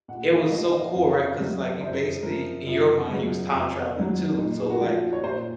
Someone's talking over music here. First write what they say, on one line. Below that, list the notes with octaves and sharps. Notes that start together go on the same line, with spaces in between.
it was so cool, right, 'cause it's like, you basically in your mind, you was time traveling too, so, it was like,
A#2 F#5
D#5
F5
F3 D#5
D#5
F2
C3 F#3
F#2 C5
G#4
F3 A#4
F#2 F4
C#3 F#3
F2
D#3 F#3
A#2 D#4
G#4
F#4
F3 F4
C#5
A#2 C5